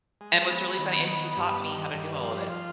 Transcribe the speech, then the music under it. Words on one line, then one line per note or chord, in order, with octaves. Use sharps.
and what's really funny is he taught me how to do all of it.
G#3
B3
D#3
B3
G2
D#3
G2
F3
F4